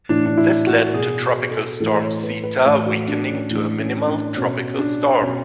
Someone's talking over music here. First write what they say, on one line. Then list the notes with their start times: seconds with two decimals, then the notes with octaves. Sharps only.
This led to Tropical Storm Zeta weakening to a minimal tropical storm.
0.09 A2 E3 D4
0.26 D4
0.37 E4
0.67 F#4
0.94 B2 G#4
1.23 G#4
1.51 A4
1.80 A2 E3 A4
2.02 C#5
2.23 B4
2.44 B4
2.65 A2 E3 A4
2.86 F#4
3.08 D4
3.30 C#4
3.51 A2 E3 D4
3.79 C#4
4.07 D4
4.36 B2 C#4
4.78 D4
5.22 B2 C#4